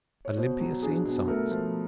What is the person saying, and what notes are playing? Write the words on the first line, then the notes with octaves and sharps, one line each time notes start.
Olympia seeing sights?
C#5
B2 C5
F#3
D4 G#4
B2
A3 A#4
F3